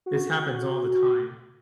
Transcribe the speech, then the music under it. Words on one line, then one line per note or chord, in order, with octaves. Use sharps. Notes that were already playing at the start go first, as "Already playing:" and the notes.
this happens all the time.
F#4